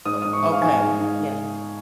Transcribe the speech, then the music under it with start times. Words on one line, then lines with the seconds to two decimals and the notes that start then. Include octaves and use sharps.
Oh, okay, yeah.
0.05 G#2 D#6
0.22 G#2 D#6
0.33 C#6
0.43 G#2
0.52 F5
0.61 G#2 G#5
0.80 G#2
0.99 G#2